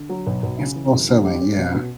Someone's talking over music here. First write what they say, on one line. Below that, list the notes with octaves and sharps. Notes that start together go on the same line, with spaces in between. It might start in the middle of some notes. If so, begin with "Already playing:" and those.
It's for selling, yeah.
Already playing: D3
F#3
B1
B1
C#3
E3
F#2
D3
G4
C#4
B2
B2